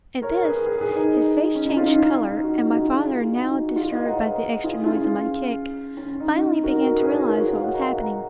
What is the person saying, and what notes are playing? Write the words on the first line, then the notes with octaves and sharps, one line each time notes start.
At this, his face changed color and my father now disturbed by the extra noise of my kick, finally began to realize what was happening.
A#4 C#5
C#5
G#4 B4
G#4 B4
G#4 B4
D#4
C#4
D#4
C#4 F4
D#4
C#4
D#4
D#4 F#4
D#4 F#4
F4 G#4
D#4 F#4
F4 G#4
F4 G#4
D#4 F#4
F#4
F4 G#4
B4 D#5
F#5 A#5
C#5
B4 D#5
F4 G#4
C#4 F4
C#4
D#4
D#4
F#4 A#4
F#4 A#4
G#4 B4
A#4 C#5
F#4 A#4
F4 G#4
F#4 A#4
C#5 F5
D#5 F#5
F#5 A#5
F#5 A#5